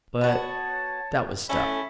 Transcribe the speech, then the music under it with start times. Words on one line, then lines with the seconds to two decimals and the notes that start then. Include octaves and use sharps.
But that was stuff.
0.21 B3 F#4 C#5 A5
1.49 A3 C#4 E4 A4 E5 B5